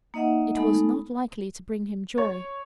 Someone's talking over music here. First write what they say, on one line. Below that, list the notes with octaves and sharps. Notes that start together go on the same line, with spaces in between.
It was not likely to bring him joy.
A#3 D#4 D#5 E5 F#5
G#3 A3 B3 D#4 A4
C#5